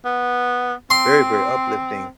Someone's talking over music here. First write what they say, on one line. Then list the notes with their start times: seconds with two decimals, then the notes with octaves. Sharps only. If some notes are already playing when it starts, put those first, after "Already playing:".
very, very uplifting,
0.05 B3
0.90 C4 C6